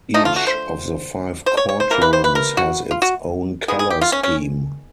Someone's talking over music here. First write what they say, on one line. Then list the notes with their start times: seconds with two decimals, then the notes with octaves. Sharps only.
Each of the five court rooms has its own color scheme.
0.14 D3 F3 A3 D#4
0.25 F4
0.36 F#4
0.47 C5
1.46 C5
1.57 C#5
1.69 C#5
1.80 C5
1.90 C3 E3 G3 A#3 A#4
2.02 B4
2.13 C5
2.24 B4
2.35 A#4
2.57 F#4
2.91 F4
3.02 F#4
3.68 D#3 G#3 B3 G#4
3.79 G#4
3.90 G4
4.01 F4
4.12 C#4
4.23 C#4